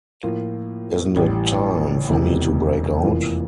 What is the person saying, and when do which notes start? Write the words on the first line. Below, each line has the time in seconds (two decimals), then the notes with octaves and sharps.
Isn't it time for me to break out?
0.23 A2 F3 A#3 F4
1.16 A1 A2 G3
2.09 E1 E2 C3
3.03 F1 E2 E3 A#3 F4